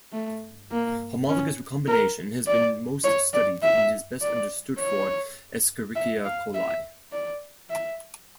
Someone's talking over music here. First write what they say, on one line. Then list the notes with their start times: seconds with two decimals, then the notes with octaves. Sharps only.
Homologous recombination has been most studied and is best understood for "Escherichia coli".
0.12 A3
0.72 A#3
1.29 C#4
1.88 A#4
2.47 D5
3.04 C#5
3.34 D5
3.63 E5
4.22 D5
4.79 C#5
5.95 E5
6.25 F5
6.54 E5
7.12 D5
7.70 E5